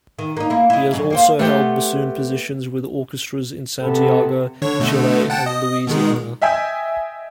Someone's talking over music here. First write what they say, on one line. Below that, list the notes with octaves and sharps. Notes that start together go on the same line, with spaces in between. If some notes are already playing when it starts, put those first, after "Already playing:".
He has also held bassoon positions with orchestras in Santiago, Chile and Louisiana.
D#3
A#3 D#4
A#3 E4
E4 D#5
F#2 C#3
A#3 F4 C5
A3 B3 G4 C5 F#5 G5
C3 B3 A4
D3 C#5
B2 D3 A3
F#5 G5 A5
D#5
B2 D#3 G#3
D#5 E5 G5 G#5 E6